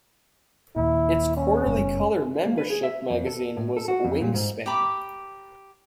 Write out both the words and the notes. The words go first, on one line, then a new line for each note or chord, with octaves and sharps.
Its quarterly colour membership magazine was "Wingspan".
D#2 A#2 E4
C#4
F#1 G2 B2
A#3
B4
G#4
E5
F2
A4
A2
A4
F#4
F2
A#2
G#2
G4 A#5 B5 D6